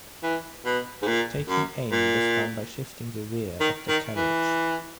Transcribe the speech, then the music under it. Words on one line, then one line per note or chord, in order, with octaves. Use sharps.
Taking aim was done by shifting the rear of the carriage.
E3
B2
G#2
A#2
F#2
A#2
D#3
D#3
E3